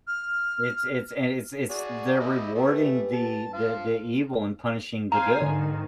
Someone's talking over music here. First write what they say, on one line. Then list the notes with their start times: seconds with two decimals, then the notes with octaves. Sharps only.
It's it's and it's it's they're rewarding the the the evil and punishing the good.
0.07 F6
1.70 F#4 G#4 D5
2.20 E4 G4 D#5
2.55 A3 G4 G#4 B4
3.13 A5
3.54 F3 F5
5.12 C5 F5 G#5 A#5
5.42 G#2 D3 D#3